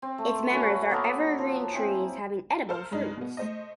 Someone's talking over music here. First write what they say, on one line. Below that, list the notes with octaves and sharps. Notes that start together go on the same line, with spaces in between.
Its members are evergreen trees having edible fruits.
C4
A3
A3 C#4 F#4 B4
A#3 B3 A4 A#4
F3
C4 E4 G5 G#5
A4 A#4 C5 F6
G2 G#3 D#4
B2 B3
A3 C5 D#5